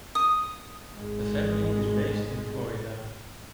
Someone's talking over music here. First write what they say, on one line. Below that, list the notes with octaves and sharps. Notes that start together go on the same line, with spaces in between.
The family is based in Florida.
D#6
G#1 G#3